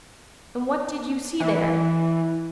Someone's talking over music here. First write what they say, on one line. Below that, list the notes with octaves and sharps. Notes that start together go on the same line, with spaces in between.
'And what did you see there?'
E3